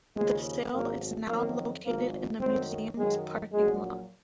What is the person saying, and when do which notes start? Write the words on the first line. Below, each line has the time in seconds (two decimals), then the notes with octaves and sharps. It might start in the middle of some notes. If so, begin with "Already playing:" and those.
The sail is now located in the museums parking lot.
0.16 D#2 C#3 F3 G#3
0.72 G#1 G#2 F#3 A#3
1.28 F2 D#3 F#3 A#3
1.84 G#1 G#2 F3 A#3
2.41 F#2 D#3 F#3 C4
2.97 F#2 D#3 F#3 G#3
3.52 A#1 A#2 F#3 G#3